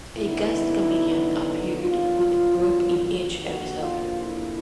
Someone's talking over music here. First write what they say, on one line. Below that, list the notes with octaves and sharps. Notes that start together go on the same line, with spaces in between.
A guest comedian appeared with the group in each episode.
D3 F#3 B3 D#4 E4
G2 D#3 F#3 B3 F4
F2 C3 F3 A#3 D4 F#4
F4
E4